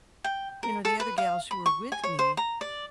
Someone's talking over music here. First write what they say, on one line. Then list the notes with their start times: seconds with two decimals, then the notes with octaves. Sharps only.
you know, the other gals who were with me
0.24 G5
0.63 A#4
0.85 A4
1.00 B4
1.18 F5
1.51 B5
1.66 C#6
1.92 G#5
2.04 C#5
2.19 C5
2.37 A#5
2.61 D5